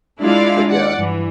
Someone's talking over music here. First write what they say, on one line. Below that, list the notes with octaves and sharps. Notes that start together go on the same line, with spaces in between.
but yeah.
G#3 D4 E4 F4 D5 F5
D5 F#5
G2 E3